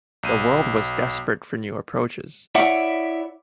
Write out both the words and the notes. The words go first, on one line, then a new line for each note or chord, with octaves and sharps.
The world was desperate for new approaches.
B1 D#7
E4 C#5 D5 E5 F#5